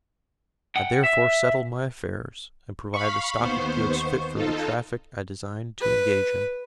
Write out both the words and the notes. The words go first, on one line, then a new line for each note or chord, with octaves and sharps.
I therefore settled my affairs, and provided a stock of goods fit for the traffic I designed to engage in.
F#5 G5
E5
F5 B5 C#6
D#2 B3 C5
D#4 F4 A4
B4